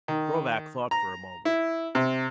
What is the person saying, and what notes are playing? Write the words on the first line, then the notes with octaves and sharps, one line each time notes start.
Krovac thought for a moment.
D#3
A#5
E4
C3